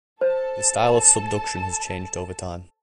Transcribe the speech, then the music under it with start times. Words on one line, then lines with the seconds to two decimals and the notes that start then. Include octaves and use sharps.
The style of subduction has changed over time.
0.21 A4 C5 A5